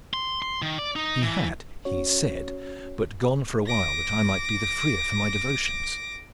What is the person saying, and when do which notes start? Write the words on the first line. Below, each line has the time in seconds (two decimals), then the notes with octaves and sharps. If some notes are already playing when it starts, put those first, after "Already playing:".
He had, he said, but gone for a while that I might be the freer for my devotions.
0.14 C6
0.42 C6
0.62 D#3
0.78 D5
0.96 D#4
1.22 E3
1.85 C#4 F#4 C#5
3.66 D6 A#6